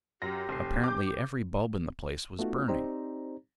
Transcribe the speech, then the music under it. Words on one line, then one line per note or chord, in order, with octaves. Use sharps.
Apparently every bulb in the place was burning.
F#2 G4 A#6
F1 C7
D6 G6
A3 B3 D#4 F4 F#4
C4 D#4 G4 C5 D5 A#5